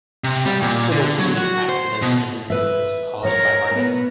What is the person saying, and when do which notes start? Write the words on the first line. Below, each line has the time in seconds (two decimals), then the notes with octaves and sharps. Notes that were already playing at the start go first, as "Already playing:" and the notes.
The hospital treated accidents and diseases caused by mining.
0.24 C3
0.46 G3
0.62 A#2
0.92 D3
1.19 F#3
1.37 F#4
1.69 C5
2.02 B2
2.50 B4 E5
3.25 A#4 C#5
3.75 B3